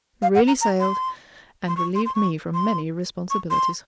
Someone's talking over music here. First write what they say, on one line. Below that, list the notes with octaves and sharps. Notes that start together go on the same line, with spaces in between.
'Really sailed, and relieved me from many responsibilities.
F5
F#5
A#5
A#5
C6
C6
C#6
C6
C6
C#6
C6
C#6
C6